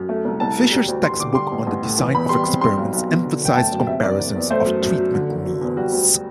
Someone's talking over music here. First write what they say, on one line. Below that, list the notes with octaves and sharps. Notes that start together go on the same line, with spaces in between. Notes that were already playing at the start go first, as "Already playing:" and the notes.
Fisher's textbook on the design of experiments emphasized comparisons of treatment means.
Already playing: F#2
A3
C2
C2 A5
B2
G3
D2
D2 C6
D3 D6
G3 C6
A1
A1
A2
E3
E2 B5
G3 C6
C3
G3 C6
B1
B1
B2
D3
F#1 G5
A3 A5
F#2
C3 E5
F#1 D5
F#1
E2
A3 C5
F#2
F#2
F#3
D3
F#1
F#3
E2
G3 F#4
D2